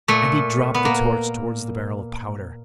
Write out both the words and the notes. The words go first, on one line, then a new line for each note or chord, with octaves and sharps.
And he dropped the torch towards the barrel of powder.
A#2 A3
B3
A#3